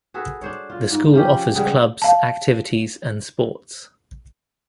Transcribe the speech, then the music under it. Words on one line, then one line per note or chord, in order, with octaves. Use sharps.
The school offers clubs, activities and sports.
F#4 G#4 A4 B4
D4 C5 C#5
F4
G#2
F3 C#4 G4
C#3 G3 G#3 B3
F5 A5